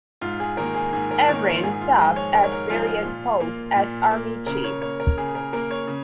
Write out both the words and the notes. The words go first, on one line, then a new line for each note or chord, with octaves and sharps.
Evren served at various posts as Army Chief.
G#2 F4
G#4
D#3 A#3 A#4
G#4
G#2 G#4
A#4
D#3 A#3 C#5
A#4
F4
G#2 G#4
G#4
F4
F3 G#3 G#4
C#5
G#2 A#4
C#5
A#4
F3 G#3 F4
A#2
A#3
A#2
A#3
C#3 A#4
C#5
A#3 C#5
A#4
C#3 G#4
A#4
A#3 A#4
C#5
C#3